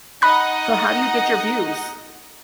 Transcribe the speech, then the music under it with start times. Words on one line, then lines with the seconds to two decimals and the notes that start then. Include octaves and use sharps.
So how do you get your views?
0.22 D#4 D#5 F#5 B5 F#6